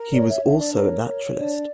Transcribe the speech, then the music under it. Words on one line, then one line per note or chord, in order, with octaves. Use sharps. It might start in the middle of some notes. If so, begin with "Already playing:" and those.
He was also a naturalist.
Already playing: A#4
C#5 D5
E5
D4 E5
D5
A#4 C#5
C#5
D4 D5